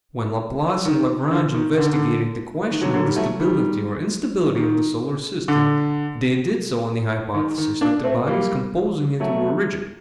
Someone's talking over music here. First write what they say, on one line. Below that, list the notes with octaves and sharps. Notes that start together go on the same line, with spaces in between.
When Laplace and Lagrange investigated the question of the stability or instability of the solar system, they did so on the hypothesis that the bodies composing it were rigid.
D#3
D3
D#3
D3
D#3
D3
D#3
D3 F#3
D3 F#3
D#3 G3
F#3 A3
D#3 G3
D#3
D3
D#3
D#3
A#3 D4
A3 C4
G3 A#3
F#3 A3